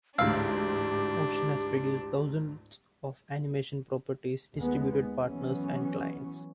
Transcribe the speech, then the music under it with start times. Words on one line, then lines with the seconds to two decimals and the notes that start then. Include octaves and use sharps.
Ocean has produced thousands of animation properties distributed partners and clients.
0.18 A1 D2 G#2 D4 G4 F5 E6 F6
4.55 D#2 G#3 B3
5.26 E3 F#3 B3 C#4